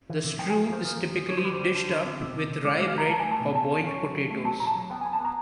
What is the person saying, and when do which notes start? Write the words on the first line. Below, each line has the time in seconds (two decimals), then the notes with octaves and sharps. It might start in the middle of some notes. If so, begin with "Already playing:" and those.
The stew is typically dished up with rye bread or boiled potatoes.
0.10 E3
0.24 C3
0.39 F3 G5
0.50 G#5
0.54 F3
0.70 A#3 C5
0.85 F3 A#4
0.99 F3
1.14 F3
1.29 D3 C#5
1.38 C5
1.45 G3 B4
1.53 C5
1.59 G3
1.74 D3
1.89 D3
2.05 C4
2.19 C3
2.34 C3
2.50 C3
2.64 G#3 D5
2.75 E5
2.80 G#3
2.88 F5
2.95 G#3 A#5
3.10 F#3 A5
3.20 A3 G#5
3.31 A5
3.40 B2
3.54 B2 A5
3.71 C#4
3.85 C#4
3.99 F#3
4.14 F#3
4.30 A3
4.45 F#3 A5
4.59 A#2 A#5
4.67 A5
4.75 F#3
4.90 B3 G5
5.01 G#5
5.05 B3
5.13 A5
5.20 B3 A#5